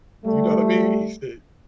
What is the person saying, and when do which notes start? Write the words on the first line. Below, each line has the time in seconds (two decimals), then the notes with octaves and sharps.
you know what I mean, he said
0.24 G3 A3